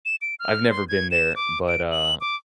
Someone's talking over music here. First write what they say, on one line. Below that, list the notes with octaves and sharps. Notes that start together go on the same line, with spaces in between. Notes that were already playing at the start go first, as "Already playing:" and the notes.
I've never been there, but, uh,
E7
D7
F6
C6
G#6
E7
D6
D7
F#7
D6